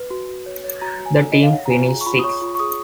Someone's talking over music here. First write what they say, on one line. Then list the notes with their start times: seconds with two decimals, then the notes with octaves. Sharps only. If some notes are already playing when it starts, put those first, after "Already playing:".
The team finished sixth.
Already playing: B4
0.10 F#4
0.29 F#4
0.46 C#5
0.64 C#5
0.82 F#4 A#5
1.00 F#4
1.06 G#5
1.17 C#5
1.32 C#5 D#5
1.43 F5
1.53 C#5 F#5
1.66 A#5
1.70 F4 G#5
1.88 G#4 A#5
2.01 C#6
2.06 F4 B5
2.19 D#6
2.24 C#5 C#6
2.42 F4
2.55 C#6
2.59 G#4 D#6